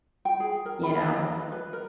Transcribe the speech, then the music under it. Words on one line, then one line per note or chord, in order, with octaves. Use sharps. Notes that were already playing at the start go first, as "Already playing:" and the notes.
You know?
G5
G#4
A#4
B5
D#5
D#5
B4
B4
A#4